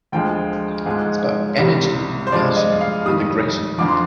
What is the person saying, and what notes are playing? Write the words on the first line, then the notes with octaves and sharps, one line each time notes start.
It's about energy, and passion, and aggression.
D2 D3 F3 G#3 G5
G#2 F3 G#3
C2 C3 G3
C5
G2 F3 G#3 D5
D#5
F5
F2 D#3 G3 D#6
F2 D3 F3 D6
C6